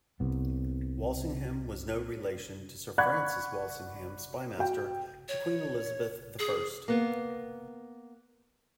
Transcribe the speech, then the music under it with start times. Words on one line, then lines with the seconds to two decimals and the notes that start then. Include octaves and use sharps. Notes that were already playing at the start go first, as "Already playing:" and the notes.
Walsingham was no relation to Sir Francis Walsingham, spymaster to Queen Elizabeth the First.
0.20 C2 B3
2.98 D5 F#5 B5 C#6 F#6 G#6
4.58 F#4 G5
5.29 C#5
6.39 G#4
6.88 A#3 B3